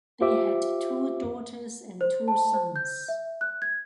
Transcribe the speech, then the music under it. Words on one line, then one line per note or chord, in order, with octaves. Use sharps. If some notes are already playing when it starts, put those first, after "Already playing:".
They had two daughters and two sons.
F4 G4 C5 E5 D6
C5
A5
C5
G6
E5
F#6
G#6